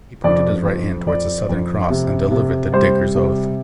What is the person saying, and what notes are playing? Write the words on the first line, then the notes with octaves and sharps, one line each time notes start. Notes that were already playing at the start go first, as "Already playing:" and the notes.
He pointed his right hand towards the Southern Cross and delivered the diggers oath.
F2 D5
F2
F2 D5
F2
C3
C3
G3 C5
C3